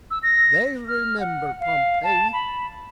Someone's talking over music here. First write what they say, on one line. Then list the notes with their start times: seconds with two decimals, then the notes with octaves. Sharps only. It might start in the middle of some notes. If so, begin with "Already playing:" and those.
They remember Pompeii.
0.11 E6
0.23 A#6
0.88 F6
1.20 F#5
1.60 F5
2.03 A5
2.33 B5